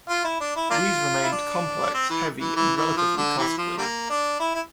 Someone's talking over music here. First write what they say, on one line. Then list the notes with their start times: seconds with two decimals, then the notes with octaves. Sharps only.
These remained complex, heavy and relatively costly.
0.09 F4
0.24 E4
0.40 D4
0.56 E4
0.70 A#3 D4 F4
1.24 E4
1.32 D4
1.94 C4
2.10 E3
2.40 E3
2.56 E3
2.77 E3
2.97 F3
3.17 D3
3.38 C3 E3
3.58 F3
3.78 D3 G3 A#3
4.10 D4
4.40 E4
4.55 E4